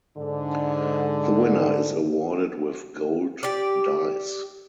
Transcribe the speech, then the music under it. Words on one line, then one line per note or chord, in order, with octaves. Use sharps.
The winner is awarded with gold dice.
G#2 D3
G4 D5